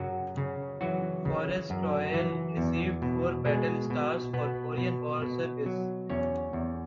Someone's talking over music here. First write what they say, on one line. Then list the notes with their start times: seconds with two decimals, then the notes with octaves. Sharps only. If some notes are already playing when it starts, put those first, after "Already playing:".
"Forrest Royal" received four battle stars for Korean War service.
Already playing: F#2 C#3 F#3 F#4
0.37 C#3
0.81 E3 F#3 F#4
1.25 C#3
1.70 F#2
2.14 E3
2.57 E2
3.02 B2
3.45 B2 G#3 G#4
3.90 B2
4.33 B2 B3 B4
4.77 B2
5.22 B2
5.66 F#3
6.10 E2 C#4 C#5
6.53 E2